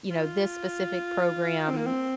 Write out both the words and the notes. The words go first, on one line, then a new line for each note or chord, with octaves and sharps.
you know, "this specific program
F4
C4
A#3
C4